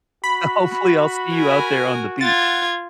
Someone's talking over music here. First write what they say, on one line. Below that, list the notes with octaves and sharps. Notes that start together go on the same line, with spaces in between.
Hopefully, I'll see you out there on the beach.
F#4 B5
A#4 G#5
F4 F#5 G#6 A6